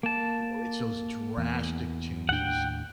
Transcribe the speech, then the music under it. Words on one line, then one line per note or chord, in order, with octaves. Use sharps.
you know, it's those drastic changes
A#3 A5
E2
D#2 A2 D4 F#5 G5